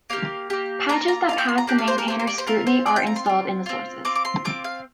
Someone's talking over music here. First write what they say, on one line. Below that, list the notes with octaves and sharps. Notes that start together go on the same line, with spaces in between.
Patches that pass the maintainers' scrutiny are installed in the sources.
A#3 G4 F5
A#3 G4
A#3 D4 F4 A#5
A#5
A#3 D4 F4 F5
G5
C6
A#5
A#3 D4 G4 G5
F5
C5
A#4
A#3 D4 G4 C5
C5
D5
C5
C4 F4 A#4
C5
C4 F4 D5
G5
A#5
C6
C4 F4
C4 F4
C4 F4 D6
D6
C6
C4 F4 D6
F5